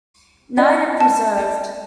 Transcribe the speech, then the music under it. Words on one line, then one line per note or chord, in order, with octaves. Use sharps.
Nine are preserved.
C#4 D5 D#5
A5